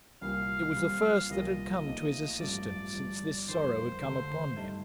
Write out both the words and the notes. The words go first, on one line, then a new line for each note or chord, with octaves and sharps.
It was the first that had come to his assistance since this sorrow had come upon him.
C2 A#2 G3 A#3 F5
A#2 G3 C4
C2 A#2 G3 A#3 F4 D#5
A#1 A#2 A3 D#4
A1 G2 F3 A3 D5
G1 G2 F3
F2 D#3 G3 A#3 C5
D#2 D3 A3 C5
G2 D3 A3 D#4